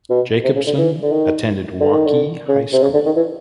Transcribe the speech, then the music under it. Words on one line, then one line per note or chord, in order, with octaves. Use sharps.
Jacobson attended Waukee High School.
B2
C3
C#3
D3
E3
D3
D#3
D3
D#3
D3
C#3
C3
C#3
D3
D#3
E3